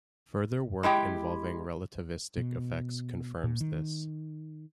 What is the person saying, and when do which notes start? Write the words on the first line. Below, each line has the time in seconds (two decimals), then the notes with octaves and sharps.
Further work involving relativistic effects confirms this.
0.83 G#3 E4 G4 G5
2.37 B2
3.44 A#2
3.61 D#3